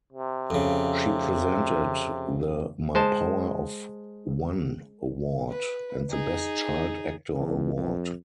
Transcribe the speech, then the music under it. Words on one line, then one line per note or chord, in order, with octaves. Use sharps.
She presented the My Power of One award and the Best Child Actor award.
C3
F2 C#3
G#3 C5 A5
B4
D#4 G#4
E2
F2